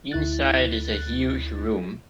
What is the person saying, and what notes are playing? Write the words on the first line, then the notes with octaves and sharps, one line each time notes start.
Inside is a huge room.
D2 E4 F#6 A6